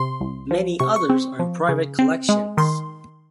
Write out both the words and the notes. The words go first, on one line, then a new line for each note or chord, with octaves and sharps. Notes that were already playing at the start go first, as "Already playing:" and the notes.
Many others are in private collections.
Already playing: C3 C6
C2
F3
C3 C#6
C#6
C4
F3
C#3
C4
G#3
D#3 C6